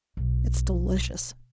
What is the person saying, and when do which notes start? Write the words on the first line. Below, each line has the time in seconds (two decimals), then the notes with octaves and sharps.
It's delicious.
0.17 B1